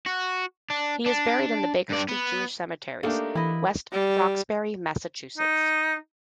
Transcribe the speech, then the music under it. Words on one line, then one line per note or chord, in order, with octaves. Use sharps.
He is buried in the Baker Street Jewish Cemeteries, West Roxbury, Massachusetts.
F#4
D4
D4
G2 D5
B3
A3 A#3 D4 D#4 G4
E3 E4 D#5
G3
D#4